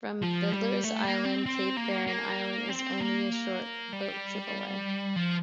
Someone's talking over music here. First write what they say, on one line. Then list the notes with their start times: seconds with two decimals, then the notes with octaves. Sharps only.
From Flinders Island, Cape Barren island is only a short boat trip away.
0.23 F3
0.53 G3
0.84 A3
1.05 A#3
1.25 C4
1.46 C4
1.77 A#3
2.07 A#3
2.69 C4
3.00 A#3
3.93 G3
5.16 F3